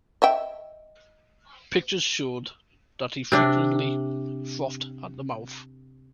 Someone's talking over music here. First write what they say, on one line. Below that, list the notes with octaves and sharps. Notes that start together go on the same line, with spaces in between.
Pictures show that he frequently frothed at the mouth.
D#5 E5 G5
C3 D4